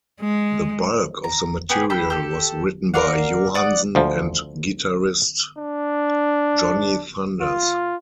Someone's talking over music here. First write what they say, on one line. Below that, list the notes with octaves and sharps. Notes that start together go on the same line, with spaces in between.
The bulk of the material was written by Johansen and guitarist Johnny Thunders.
G#3
A#5
B3 G4 G#4
G4 A4 B5
G4 A4
A#4 D5 F5 F#5
D5 F#5 D#6
D2 F3
D4
F4